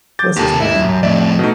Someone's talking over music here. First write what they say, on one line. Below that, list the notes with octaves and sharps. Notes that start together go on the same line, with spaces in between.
What's his name?
D6 G6 A6
D#2 A#3 G4 A4
E4
F#2
F2 A2 D5 E5
B2 A3 D#4